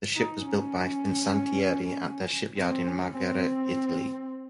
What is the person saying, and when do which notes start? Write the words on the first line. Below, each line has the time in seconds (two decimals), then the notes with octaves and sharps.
The ship was built by Fincantieri at their shipyard in Marghera, Italy.
0.16 D#4
0.46 C#4
2.57 C4
2.87 C#4
3.18 C4